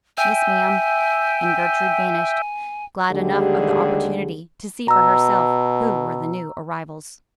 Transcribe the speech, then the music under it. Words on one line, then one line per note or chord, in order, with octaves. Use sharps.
"Yes ma'am," and Gertrude vanished; glad enough of the opportunity to see for herself who were the new arrivals.
E5 G5 G#5
D#2 D3 G3 G#3 G4 G#4
B2 A#5 E6